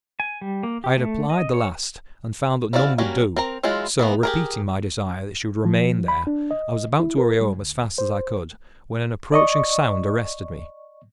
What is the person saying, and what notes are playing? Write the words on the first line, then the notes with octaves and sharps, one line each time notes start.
I had applied the last, and found that none would do; so, repeating my desire that she would remain there, I was about to hurry home as fast as I could, when an approaching sound arrested me.
G#5
G3
A#3
G4
A3
D#5
C#5
C4 E4 F#4 D5 F5
F#3 G3 A#3 C#4
C4 A#4 A#5
E3 F#3 G#3 E4 F4
E3 A#3 B3
G4 G#4 A#4
F3
B5
D4
D#5
E4
A#4
G3
D2
C5
D5 D#5 C#6